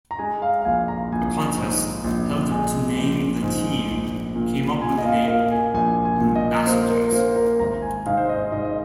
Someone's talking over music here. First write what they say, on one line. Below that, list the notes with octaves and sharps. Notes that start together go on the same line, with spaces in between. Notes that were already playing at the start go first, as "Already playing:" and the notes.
A contest held to name the team came up with the name Ambassadors.
A#5
G#3 G#5
F5
F5
A#1 G#5
A#5
A#1 G#5
G#2
A#1
G#3
A#1
G#2
A#1
A#2
A#2 G#5
D#5
F5
A#3 F5
G#5
A#1 G#5
G#5
A#2
D#5
A#3 C5
A#4
A#3 C5
A#4
G#1 A#5
G#5
G#2 F5
C5
D#5
G#2 D#5
D#5